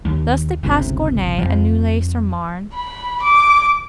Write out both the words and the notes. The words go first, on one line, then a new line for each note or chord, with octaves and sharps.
Thus they passed Gournay and Neuilly-sur-Marne.
D#2
G1 C#2 C3
F2 F3
B5
D6